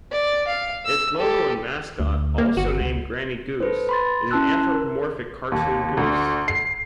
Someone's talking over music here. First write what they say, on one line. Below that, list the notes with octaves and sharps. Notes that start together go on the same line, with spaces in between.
Its logo and mascot, also named Granny Goose, is an anthropomorphic cartoon goose.
D5
F5
E6
G4 A4
D2
A#3
G1 F#4
C#2
A4 B4 C5
B5 C6 A6
C#4 E4 A5 C6 E6 F#6
A#4
D#2
D2
C7